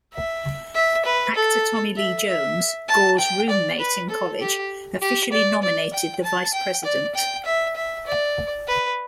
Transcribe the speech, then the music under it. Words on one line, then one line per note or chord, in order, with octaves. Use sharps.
Actor Tommy Lee Jones, Gore's roommate in college, officially nominated the Vice President.
E5
E5
B4
A4
E5
E5
A5
G5
D5
B4
A4
G4
G4
D5
D5
G5
A5
G5
D5
G5
E5
E5
D5
B4